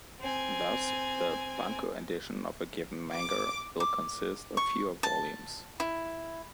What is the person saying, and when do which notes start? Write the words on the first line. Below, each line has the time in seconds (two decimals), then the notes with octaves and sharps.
Thus, the "bunko" edition of a given manga will consist of fewer volumes.
0.20 C4 G#5
3.13 D6
3.80 D6
4.57 C#6
5.03 A5
5.80 E4